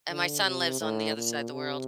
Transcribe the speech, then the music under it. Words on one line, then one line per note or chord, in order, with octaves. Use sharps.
And my son lives on the other side of the world.
D3
C3
A2
A#2
C3